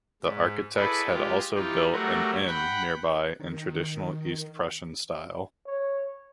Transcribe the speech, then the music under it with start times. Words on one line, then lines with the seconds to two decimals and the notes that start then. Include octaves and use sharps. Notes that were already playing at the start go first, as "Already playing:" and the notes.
The architects had also built an inn nearby in traditional East Prussian style.
0.22 G#2
0.76 E4 G#4 A4 B4 D5
1.07 G#3 F4 G4
1.55 E3 D#4 F4 G4
1.92 F#3 G3 A3 F#4 A#4
2.47 F#5 G5 B5
3.39 D#3
5.67 C#5